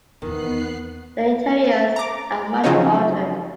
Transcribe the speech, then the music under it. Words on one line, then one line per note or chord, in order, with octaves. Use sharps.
The interiors are much altered.
E2 D#3 B3 C4 F#6 C7
A#5 D6
C#3 F3 F#3 C4 C#4 D#4